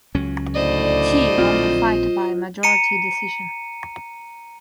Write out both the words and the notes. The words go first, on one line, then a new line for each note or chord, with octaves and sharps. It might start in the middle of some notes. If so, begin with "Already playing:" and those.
Qi won the fight by majority decision.
C#2 F#3 C#4
D2 A2 C5 D5 D#5
A#1 F#3 C4 F4
A#5 C#7 D#7